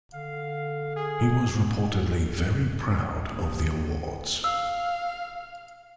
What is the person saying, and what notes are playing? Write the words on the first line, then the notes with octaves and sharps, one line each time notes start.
He was reportedly very proud of the awards.
D3 F5
G#4
D#6
G2 A#3
F5 E6